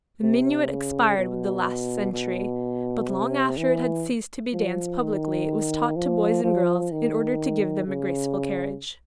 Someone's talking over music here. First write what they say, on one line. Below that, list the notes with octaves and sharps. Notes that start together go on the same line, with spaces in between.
The minuet expired with the last century: but long after it had ceased to be danced publicly it was taught to boys and girls, in order to give them a graceful carriage.
C3
C#3
B2
B2
C3
E3
F3
D#3
F3
F3
D#3
C#3